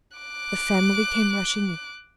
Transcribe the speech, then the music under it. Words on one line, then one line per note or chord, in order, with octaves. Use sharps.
The family came rushing in.
D6 F#6